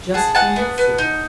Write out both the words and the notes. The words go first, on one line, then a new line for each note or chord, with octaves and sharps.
Just fancy!
G#4 F#5 A5
G#4 F#5 A5
B3
B3
D#4